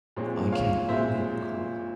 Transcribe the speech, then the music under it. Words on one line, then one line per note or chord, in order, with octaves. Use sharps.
I can only record.
A#2 F3 G#3 C4 C#5
C#5 F5
A#2 F3 G#3 C4 C5 E5